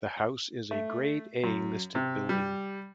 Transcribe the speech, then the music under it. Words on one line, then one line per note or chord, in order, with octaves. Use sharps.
The house is a Grade A listed building.
A3
F#2
C3
G3